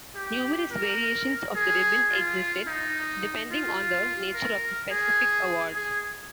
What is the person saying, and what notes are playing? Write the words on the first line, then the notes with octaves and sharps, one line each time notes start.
Numerous variations of the ribbon existed, depending on the nature of the specific award.
G4
A#4
G#4
F4
D#4
F4
A#4
G#4
G#4